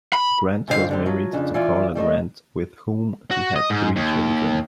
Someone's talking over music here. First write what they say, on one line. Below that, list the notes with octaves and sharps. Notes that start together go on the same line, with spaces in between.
Grant was married to Karla Grant with whom he had three children.
B5
F2 G#2 D3 C4 G#4 F5
D3 G3 C4
F3 F#3
F2 C#3 D4
E3 F4 D5
G3 A3 C5 D#5
F#4
D#5
G#2
D#2